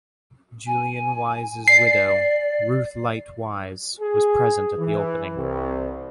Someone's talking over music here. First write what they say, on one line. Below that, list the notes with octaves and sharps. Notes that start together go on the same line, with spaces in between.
Julian Wise's widow, Ruth Light Wise, was present at the opening.
G#5
D5 C7
G#4
E3
C2